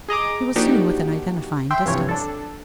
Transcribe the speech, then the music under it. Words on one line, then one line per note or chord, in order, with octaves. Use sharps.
He was soon within identifying distance.
G#4 D#5 A#5 D6
F3 A#3 D4 D#4 F#4 G4
E5 G5 C6
G2 C3 E3 F3 C#5
D4 A4